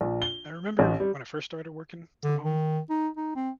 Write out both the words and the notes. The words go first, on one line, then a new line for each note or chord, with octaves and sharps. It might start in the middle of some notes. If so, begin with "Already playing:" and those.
I remember when I first started working from home
A#1
G7
A1
G3
D3
D#3
D#4
D#4
C4